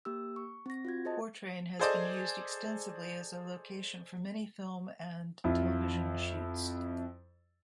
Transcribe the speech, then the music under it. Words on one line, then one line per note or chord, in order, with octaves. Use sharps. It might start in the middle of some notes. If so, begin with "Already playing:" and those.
Portrane has been used extensively as a location for many film and television shoots.
A#3 G4 E6
C#6
C4 A#6
F4 F#4 G#6
G#4 C5 D#5 A5
G#4 A4 C5 D5 D#5
F2 E4 F4